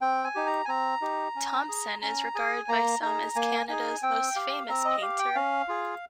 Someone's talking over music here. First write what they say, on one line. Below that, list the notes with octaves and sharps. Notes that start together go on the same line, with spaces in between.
Thomson is regarded by some as Canada's most famous painter.
C4 G5
G#5
D#4 G4
A#5
G#5
C4 A#5
D#4 G4
C#4
G#4
C#4 A#5
G#4 G#5
A#3 A#5
D#4 G#4 A#5
A#3 G#5
D#4 G#4 G#5
C4 G5
G4 F5
C4 A#5
D#5
G4 F5
G5
C#4 F5
F4 G#4